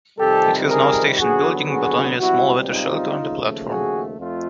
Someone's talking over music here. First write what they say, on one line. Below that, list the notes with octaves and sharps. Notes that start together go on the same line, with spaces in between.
It has no station building, but only a small weather shelter on the platform.
F2 C3 D#3 G3 G4 A4
G#4 A#4
D#2 D3 F#3 B3 F#4 G#4
F#4 G#4
C#2 B2 G3 C4 E4 F#4
D#4 F4
D#2 C#3 F3 A3
F#4 G#4
F2 A3 F4